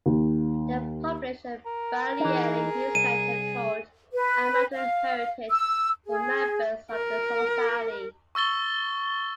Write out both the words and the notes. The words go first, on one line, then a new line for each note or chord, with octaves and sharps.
They publish a bi-yearly newsletter called "Our Mountain Heritage" for members of the society.
D#2
A#4
E3 D#4 G#4
C2 D#7
B4
F5
E6
G#4
A#4
C#6 E6 A6 G7